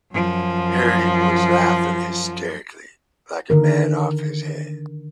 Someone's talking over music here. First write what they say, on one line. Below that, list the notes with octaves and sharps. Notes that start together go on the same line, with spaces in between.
Harry was laughing hysterically, like a man off his head.
F#2 F3
D3 D#3 A#4